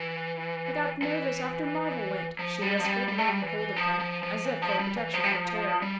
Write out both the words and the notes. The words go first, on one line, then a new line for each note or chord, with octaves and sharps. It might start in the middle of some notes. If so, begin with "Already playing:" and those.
"I got nervous after Marvel went," she whispered, laying hold of him, as if for protection from terror.
Already playing: E3
E3
F3
G3
F3
G3
G3
A3
G3
E3
F3
F3
F3
E3
F3
G3
E3
F3
G3
F3
G3